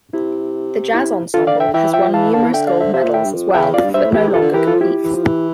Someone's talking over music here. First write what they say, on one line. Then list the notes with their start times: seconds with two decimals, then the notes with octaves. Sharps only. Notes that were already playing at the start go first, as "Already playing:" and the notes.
The jazz ensemble has won numerous gold medals as well, but no longer competes.
0.13 C3 E4
0.94 E4
1.34 D3 F4 A4
1.47 D5 F5
1.60 E5 G5
1.74 E3 E5 G5
1.93 F3 E5 G5
2.14 E3 F5 A5
2.33 D3 F5 A5
2.43 E3
2.53 D3 E5 G5
2.67 D5 F5
2.81 C5 E5
2.94 C3 C5 E5
3.04 A#2
3.14 A2 E5 G5
3.24 G2
3.34 F2
3.54 E2 E5 G5
3.74 F2 D5 F5
3.84 G2
3.94 G2 C5 E5
4.05 A2
4.14 E3 E4 G4
4.28 C3
4.34 F4 A4
4.41 D3
4.54 E3 G4 A#4
4.67 F4 A4
4.74 F3
4.81 E4 G4
5.04 E3
5.14 F3
5.24 E3